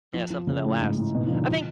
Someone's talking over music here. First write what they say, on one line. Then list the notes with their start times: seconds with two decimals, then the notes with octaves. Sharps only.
Yeah, something that lasts. I think,
0.14 F3
0.30 F3
0.47 C#3
0.65 A2
0.80 G#2
0.97 A2
1.14 B2
1.27 F3
1.31 D3
1.48 F3